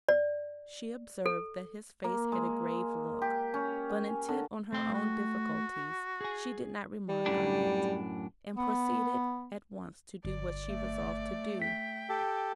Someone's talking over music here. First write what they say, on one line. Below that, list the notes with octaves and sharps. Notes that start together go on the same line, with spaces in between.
She observed that his face had a grave look, but intent on her own difficulties she did not remark on it, and proceeded at once to do what she resolved to do.
D5
A4
A#3
G#3
G4
C#4
G#5
D3
A3 C4 G5
F#4
G#4 G#5
G3
F#2 A2 D4
B3
G1 D5
A3
G5 B6
G4 A4